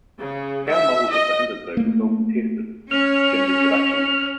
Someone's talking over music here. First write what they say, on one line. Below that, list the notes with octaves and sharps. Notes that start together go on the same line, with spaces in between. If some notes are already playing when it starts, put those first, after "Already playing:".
Scale models of the "Hindenburg" were built and tested with skin reproductions.
C#3
E5
D#5
A3 A#3
C#4 F6